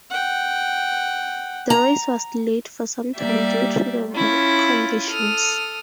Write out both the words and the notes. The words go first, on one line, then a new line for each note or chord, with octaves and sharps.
The race was delayed for some time due to the wet conditions.
F#5 G5
A#5
G3 A#3 G4 D5 E5
C#4 E4 F4
A4 D#6 F6